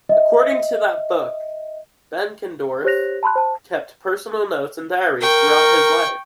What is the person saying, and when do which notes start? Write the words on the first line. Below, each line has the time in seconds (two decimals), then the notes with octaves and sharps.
According to that book, Benckendorff kept personal notes and diaries throughout his life.
0.09 D#5 E5
2.84 G4 C5 C#5 F#6 A#6 F7
3.23 A5 B5 C6 F#6
3.36 C5 A5
5.21 A#4 G5 C#6